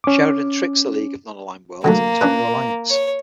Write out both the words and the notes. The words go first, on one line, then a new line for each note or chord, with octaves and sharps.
Sheridan tricks the League of Non-Aligned Worlds into a new alliance.
C#4 D6
D3 F#3 A3 A#3
C#4 D4 B4
C#5